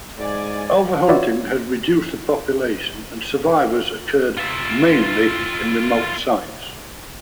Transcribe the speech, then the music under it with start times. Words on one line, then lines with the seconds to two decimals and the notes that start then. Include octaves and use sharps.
Overhunting had reduced the population, and survivors occurred mainly in remote sites.
0.19 G#2 D5 G#5
1.08 F4 F#4 B4 C#5 D5 E5
4.38 F4 E5